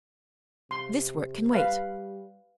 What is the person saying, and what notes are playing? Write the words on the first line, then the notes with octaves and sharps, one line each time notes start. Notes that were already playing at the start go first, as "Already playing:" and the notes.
'This work can wait.
C3 C6
G3 B4 F5